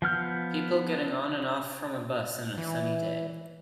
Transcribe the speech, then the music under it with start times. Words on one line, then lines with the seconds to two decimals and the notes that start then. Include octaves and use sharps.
People getting on and off from a bus in a sunny day.
0.02 F3 B3 F6 G6
2.58 E3